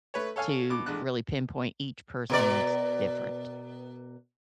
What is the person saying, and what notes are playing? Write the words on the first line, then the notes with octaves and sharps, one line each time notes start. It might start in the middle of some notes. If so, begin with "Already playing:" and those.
to really pinpoint, each person's different.
A3 B4 C#5
A4 C#5 F5 G#5
B2 D6
A1 G#3 D4 F#6
B2 A#4 D5